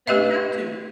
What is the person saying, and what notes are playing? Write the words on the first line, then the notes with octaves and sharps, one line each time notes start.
Don't have to.
A3 G4 B4 D#5 E5